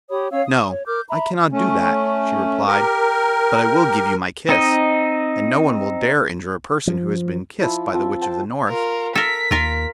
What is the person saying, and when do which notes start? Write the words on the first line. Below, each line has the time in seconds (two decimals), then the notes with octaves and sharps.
"No, I cannot do that," she replied, "but I will give you my kiss, and no one will dare injure a person who has been kissed by the Witch of the North."
0.10 G4 C#5 B5 D#6
0.30 C#4 C#5 F5 E6
0.46 D#6
0.68 C#5
0.86 A#4 D6 F6 G6
1.09 E5 A#5 B5
1.52 A3 C#4
2.68 G4 A#4
4.49 C4 D#4 D#5
6.87 F3
7.60 F3 E4 B5
7.92 F3 C4
8.22 C5 G5 A5
8.69 F4 A#4
9.15 A4 A#4 B6
9.51 D#2 F4 A#4 F5